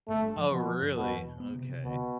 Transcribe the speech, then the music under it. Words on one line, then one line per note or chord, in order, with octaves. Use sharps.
Oh really, okay.
G1 A3
G2
F3
B2 F3
F3
G2
E1 B2
E2
E1
B3
C3
C3
D2 B2